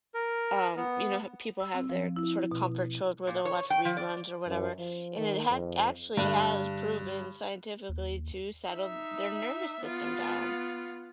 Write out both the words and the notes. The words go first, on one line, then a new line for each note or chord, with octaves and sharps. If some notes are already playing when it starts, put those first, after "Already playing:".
um, you know, ho people have their sort of comfort shows where they'll watch reruns or whatever and it ha actually has proven scientifically to settle their nervous system down.
A#4
B3
E6
C4
F3
E4
B2
A#2
C#5
G5
F3
D5
F#2
F3
D#3
F2
G2 D3 D5 F#6
D#2
D#4 E5
B3 F4